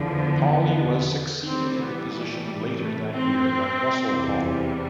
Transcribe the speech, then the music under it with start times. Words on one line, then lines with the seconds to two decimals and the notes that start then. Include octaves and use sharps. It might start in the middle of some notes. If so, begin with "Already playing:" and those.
Pawley was succeeded in the position later that year by Russell Paulley.
Already playing: E2 D3 F3
0.14 B3
1.46 A2 E3 G3 C4
1.80 B3
2.13 A3
2.46 G3
2.79 A3
3.12 C4
4.11 E2 C3 E3 G3